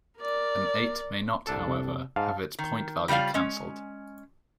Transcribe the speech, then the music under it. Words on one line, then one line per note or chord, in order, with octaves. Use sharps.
An eight may not, however, have its point value canceled.
A#4 D5
C2 D4 A4
C3
G#2 F5 A5
D#3
C#3 G3 F4 D5 F5
G#3 C#4